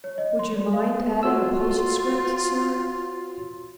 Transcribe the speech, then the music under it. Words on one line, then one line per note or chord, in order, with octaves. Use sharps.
"Would you mind adding a postscript, sir?"
C#5
D#5
C6
D5
F5
F4 F#4 C#5 E6